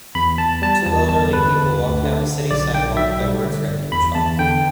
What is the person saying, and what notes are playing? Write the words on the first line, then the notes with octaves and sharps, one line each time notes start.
Two elderly people walk down a city sidewalk by words written in chalk.
E2 B5
E2 A5
G3 A5
E2 A5
G1 A5
G1 B4
D3
D2
D3
D3
B1 D5
B1 G5
B1 E5
G3
D3
G1
E2 B5
E2 A5
D3 G5